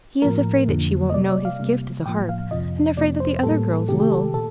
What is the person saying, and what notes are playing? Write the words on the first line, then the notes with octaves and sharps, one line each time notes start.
He is afraid that she won't know his gift is a harp, and afraid that the other girls will.
A2 F3 A#3 A#4
F2 D3 F3 A#3
D#5
C3 G3 A#3 D5
D5
F5
C3 G3 A#3
A2 F3 A#3 G5
F5
F2 C3 F3 D#5
F2 C3 F3 A#3 D5
C5
A2 G3 A#3 A4
C3 D#3 A3 G4
G4
A4
A#2 A4